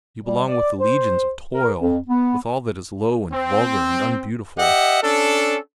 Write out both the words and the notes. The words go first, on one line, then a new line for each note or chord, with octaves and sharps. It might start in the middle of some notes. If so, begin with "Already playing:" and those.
You belong with the legions of toil, with all that is low, and vulgar, and unbeautiful.
G3
D5
C5
A#4
F2
B3
C4
G4 D#5 E5 F#5
C#4 D4 A4